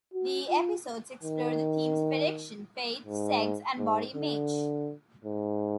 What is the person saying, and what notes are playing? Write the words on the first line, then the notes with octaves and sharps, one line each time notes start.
The episodes explore the themes of addiction, faith, sex and body image.
F#4
F4
D#3
G#2
G#2
D3
G#2